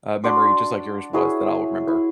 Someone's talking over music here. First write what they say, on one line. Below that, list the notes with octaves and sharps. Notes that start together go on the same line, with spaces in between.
uh, memory just like yours was that I'll remember.
D4 F#4 D5 C6
E4 F#4 G#4 C#5
E4